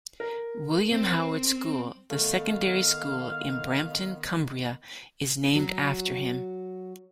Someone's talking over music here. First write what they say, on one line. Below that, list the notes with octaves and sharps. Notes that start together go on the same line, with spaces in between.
William Howard School, the secondary school in Brampton, Cumbria, is named after him.
A#4
C4
D#3 A3 B3 F5
F#3 F#4